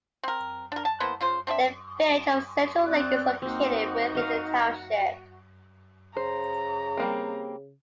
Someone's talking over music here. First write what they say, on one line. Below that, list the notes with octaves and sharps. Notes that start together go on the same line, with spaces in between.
The village of Central Lake is located within the township.
C4 A#4
D4 A#4
A5
E3 A#3 B3 C5
C#3 F4 C5
C4 D4 D5 E5
C4 D5 F#6
A#3 C4 D#4 F#4
D#5 F5 A#5
C#3 C5 A#5
G3 A#3 C4